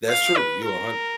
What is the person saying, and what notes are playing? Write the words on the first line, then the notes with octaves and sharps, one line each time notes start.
That's true. You a hund
F5
B4
A#4